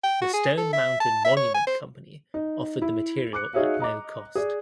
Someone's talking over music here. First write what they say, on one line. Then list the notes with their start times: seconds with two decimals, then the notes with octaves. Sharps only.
The Stone Mountain Monument Company offered the material at no cost.
0.04 G5
0.21 F#4
0.33 G#4
0.58 A4
0.73 E5
1.00 A5
1.25 E5
1.37 C#5
1.54 G#5
1.67 C5
2.34 D#4
2.82 E4
3.33 D6 F#6 C#7
3.53 D#4 F#4 G#4 C#5 E5 F5
3.80 D#5 A#5 D6
4.35 G#4 D5